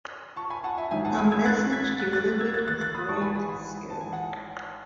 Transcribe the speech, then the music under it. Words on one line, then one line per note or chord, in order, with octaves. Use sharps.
A message delivered with great skill.
A5 C#6
G#5 B5
F#5 A5
E5 G#5
A1 G#2 D#3 F#3 E5 G#5
F#5 A5
G#5 B5
E6 G#6
F#6 A6
G#6 B6
F#6 A6
F#6 A6
E6 G#6
F#6 A6
F#6 A6
F#6 A6
B5 D#6
G#1 G#2 E3 A5 C#6
G#5 B5
B5 D#6
G#5 B5
A5
G#5
F#5 A5